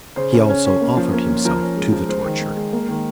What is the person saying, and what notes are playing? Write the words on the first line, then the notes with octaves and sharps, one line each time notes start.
He also offered himself to the torture.
C#3 C5
C#4
C#4
C#4
A#3
F3
A#3
A#2
F3 A#4
C#4
G#3
F3
G#3 C5
D#3
G#3
G#3
A#3
D#3